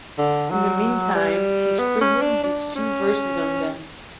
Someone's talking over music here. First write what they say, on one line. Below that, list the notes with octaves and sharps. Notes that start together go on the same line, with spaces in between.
In the meantime, he scribbled these few verses on them.
D3
F#3
G3
B3
C#4
D4
D4
C#4